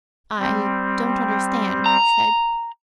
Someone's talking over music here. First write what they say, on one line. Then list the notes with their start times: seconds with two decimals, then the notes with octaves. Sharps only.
"I don't understand," he said.
0.39 G3 C4
1.86 A#5